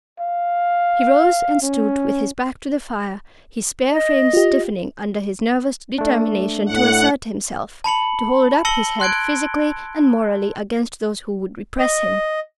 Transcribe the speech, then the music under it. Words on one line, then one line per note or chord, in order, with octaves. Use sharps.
He rose and stood with his back to the fire, his spare frame stiffening under his nervous determination to assert himself--to hold up his head physically and morally against those who would repress him.
F5
C#4
D#5
F4 G4
A3 D4
A2 F#5
A5 B5 C#7 F#7
A5 E6 A#6 C#7 F#7 G7
C6 F#6 G#6 D7
D#5